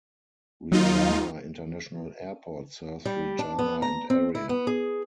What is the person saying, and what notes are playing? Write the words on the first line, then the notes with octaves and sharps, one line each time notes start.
Regina International Airport serves Regina and area.
D#2 F#3 D#4 F4
G3
D4
B3
A#5
C4
E4
B3
G#4